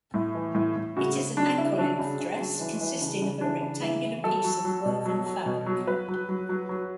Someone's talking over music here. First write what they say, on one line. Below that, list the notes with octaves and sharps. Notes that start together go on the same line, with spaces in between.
It is an ankle-length dress consisting of a rectangular piece of woven fabric.
A2
E3
A2
A2
C#3 F#4
C#3
F#3 D4
C#3 E4
F#3 D4
C#3
C#3
F#3
E3
E3
C#3
C#3
E3 D4
C#3
E3 E4
E3
F#3 A4
F#3
F#3
B2
F#3
F#3
B2
F#3
F#3 B4
F#3
F#3
F#3
F#3